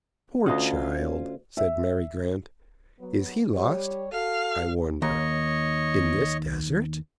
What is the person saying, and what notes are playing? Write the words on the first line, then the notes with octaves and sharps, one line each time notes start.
"Poor child!" said Mary Grant. "Is he lost, I wonder, in this desert?"
D2 C#4 F4 D#5 F#5
E5
F#3 B3
G3 G4 C#5
F#4 A4 F5
D#2 C#5 D#5